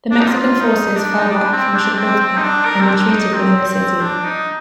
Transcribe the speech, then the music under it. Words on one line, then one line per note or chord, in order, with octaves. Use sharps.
The Mexican forces fell back from Chapultepec and retreated within the city.
D4
D#4
F4
D#4
D4
D#4
D4
C4
D4
D4
C4
C4
D#4
D4
A#4
C4
D4
D#4
C4
C4
D4
D#4